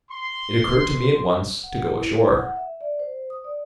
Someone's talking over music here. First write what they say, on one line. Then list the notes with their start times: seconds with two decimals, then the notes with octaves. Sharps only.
It occurred to me at once to go ashore.
0.11 C6
1.63 F#5
1.94 E4
2.37 F#5
2.57 E5
2.81 D5
2.99 C5
3.30 D#6
3.44 D5